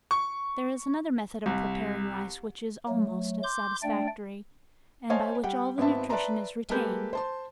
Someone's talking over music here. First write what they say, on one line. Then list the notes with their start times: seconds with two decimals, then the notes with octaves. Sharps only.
There is another method of preparing rice which is almost as satisfactory, and by which all the nutrition is retained.
0.11 C#6
1.46 C2
2.88 F#3 A3
3.43 C6 D6 G6
3.83 A3 D4 D5 G5
5.10 C5 C#5 D#5 F5 G#5 A5
5.43 G3 F#5 G5
5.78 G#1 B3 C4 E5 A5
6.09 B4 D5 E5 A5 A#5 C6
6.69 G#3 A#3 G4 A4 B4 G6
7.13 C5 A5 C6